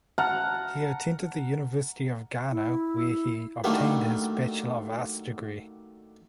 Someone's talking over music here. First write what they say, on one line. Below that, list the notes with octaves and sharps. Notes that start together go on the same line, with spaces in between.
He attended the University of Ghana where he obtained his Bachelor of Arts degree.
F#5 A5 A#5 F6
E4
D3 D#3 F#3 G3 A3 A#3